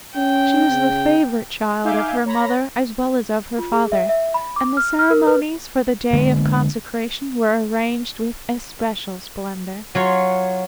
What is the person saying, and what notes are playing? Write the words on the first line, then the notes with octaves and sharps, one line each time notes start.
She was the favorite child of her mother as well as of her father, and the ceremonies for the day of consecration were arranged with especial splendor.
C#4 G5
C#3
D#4 E5 F5 G#5 D6 G6
C#5 A#5 B5 A#6
F4
G#4
E5
E5
B5
D6
F6
F6
A#4
B4
D3 G#3 A#3 B3
F#3 F4 C#5